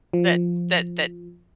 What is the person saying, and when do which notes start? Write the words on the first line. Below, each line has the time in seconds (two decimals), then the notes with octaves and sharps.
that's that that
0.13 F3